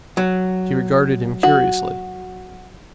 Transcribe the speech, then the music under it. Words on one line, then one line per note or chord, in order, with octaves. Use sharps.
She regarded him curiously.
F#3
F#4